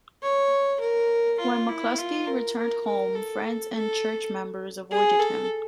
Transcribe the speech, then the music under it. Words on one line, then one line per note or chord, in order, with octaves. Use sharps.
When McCluskey returned home, friends and church members avoided him.
C#5
A#4
F4
E4
F4
A#4
A#4
A#4
A4
A4
G#4
A4